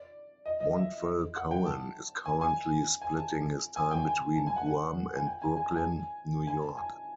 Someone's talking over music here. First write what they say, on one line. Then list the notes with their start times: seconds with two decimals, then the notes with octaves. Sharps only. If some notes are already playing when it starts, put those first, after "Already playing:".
Montvel-Cohen is currently splitting his time between Guam and Brooklyn, New York.
Already playing: D5
0.46 D#5
0.60 D#5
0.76 E5
1.36 F#5
1.51 G5
1.66 A5
2.26 G#5
2.41 G#5
3.02 G#5
3.16 A5
3.76 G#5
3.91 G5
4.06 G#5
4.36 A5
4.47 G#5
4.56 F#5
4.66 F#5
5.16 G#5
5.27 G5
5.42 G#5
5.57 G#5
5.67 A5
5.76 G#5
6.47 G#5
6.61 A5
6.77 G#5